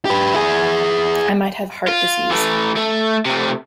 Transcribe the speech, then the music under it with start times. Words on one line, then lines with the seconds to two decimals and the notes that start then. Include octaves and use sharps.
I might have heart disease.
0.05 G4 B4
0.34 E4 G#4
1.88 F4
2.31 E3 A3
2.76 A3
3.26 C3 A3